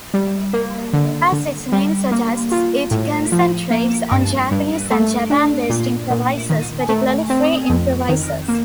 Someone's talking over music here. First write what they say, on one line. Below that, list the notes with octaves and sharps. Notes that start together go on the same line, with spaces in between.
As its name suggests, it concentrates on Japanese and Japan-based improvisers, particularly free improvisers.
G3
A#3
D3
D3
G3
A#3
F4
A2
F3
A#3
G2
G2
A3
D4
A#2
A#2
D#3
A3
C4
F2
D#3
A#3